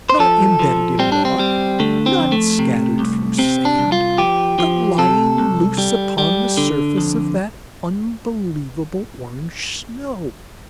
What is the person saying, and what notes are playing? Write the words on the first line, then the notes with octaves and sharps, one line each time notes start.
Not embedded in rock, not scattered through sand, but lying loose upon the surface of that unbelievable orange snow!
C5
F3 A4
F3
G3 C4
D4
C4
G3
D3 A3
C4
F2
A3
C3
C2
C3 C4
D4
C2
F4
F3 G4
F3
C3 A4
C2
G3
G3
D3
F2